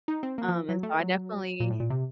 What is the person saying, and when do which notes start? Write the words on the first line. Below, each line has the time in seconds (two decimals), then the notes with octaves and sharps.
um, and so I definitely
0.08 D#4
0.23 C4
0.38 A#3
0.48 F3
0.69 F#3
0.83 A3
1.00 F#3
1.60 A#2
1.70 A2
1.80 A#2
1.90 C3